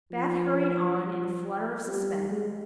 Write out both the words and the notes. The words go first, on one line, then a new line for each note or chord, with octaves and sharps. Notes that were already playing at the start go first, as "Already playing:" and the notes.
Beth hurried on in a flutter of suspense.
F3
F3
G3
G#3